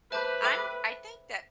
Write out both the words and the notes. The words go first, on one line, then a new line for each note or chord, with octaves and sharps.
I'm I think that,
B4 C5 E5 A5 D6 G6
A4 E5 G5 D6